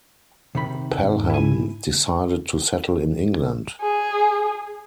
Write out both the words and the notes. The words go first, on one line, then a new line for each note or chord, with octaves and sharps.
Pelham decided to settle in England.
C3 D#3 B5
G#2
E4 G#5
G#4